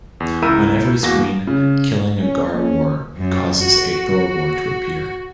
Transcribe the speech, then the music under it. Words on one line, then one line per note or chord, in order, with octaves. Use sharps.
On every screen, killing a Garwor causes a Thorwor to appear.
E2
C#2 E4 A#4 E5 E6 D#7
E2 A#3 F#4 A#6
C#3
C#4
A#3 C#4
F#2
F#4